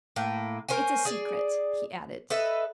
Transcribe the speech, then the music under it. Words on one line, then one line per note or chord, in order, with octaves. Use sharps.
"It's a secret," he added.
A2 A#3
A#4 C5 C#5 G#5
G#4 D5
A4 B4 D#5 E5